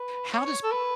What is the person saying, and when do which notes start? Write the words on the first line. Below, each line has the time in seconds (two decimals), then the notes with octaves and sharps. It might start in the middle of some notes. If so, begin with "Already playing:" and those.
how does
Already playing: B4
0.33 C#5
0.45 C#5
0.63 A4
0.71 B4